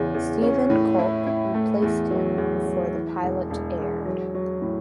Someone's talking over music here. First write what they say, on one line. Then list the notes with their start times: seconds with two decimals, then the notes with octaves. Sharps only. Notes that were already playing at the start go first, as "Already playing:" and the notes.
Steven Culp replaced him before the pilot aired.
Already playing: E2 C#3
0.15 E2
0.42 C#4
0.70 A2
0.99 E4
1.27 E4
1.54 A3
1.82 E2
2.10 F#3
2.38 E2
2.66 F#3
2.94 E3
3.23 E1
3.51 E1
3.79 E2
4.06 F#3
4.35 F#3
4.62 A2